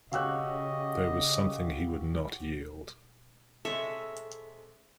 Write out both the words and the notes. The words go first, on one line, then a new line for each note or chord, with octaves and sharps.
There was something he would not yield.
C#3 F#4 G4 C#5 D#5 F5 E6 F#6
C3 G#3 A4 C#5 E5